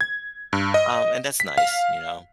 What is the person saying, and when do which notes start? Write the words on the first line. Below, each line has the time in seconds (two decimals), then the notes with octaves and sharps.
Um, and that's nice, you know?
0.01 G#6
0.53 G2
0.74 D#5
1.40 B6
1.58 F5